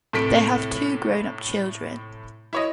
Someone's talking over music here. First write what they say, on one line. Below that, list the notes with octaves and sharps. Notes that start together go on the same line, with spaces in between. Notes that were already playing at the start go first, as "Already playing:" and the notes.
They have two grown-up children.
A2 C3 A3 B6 D7
E4 C#5 D#5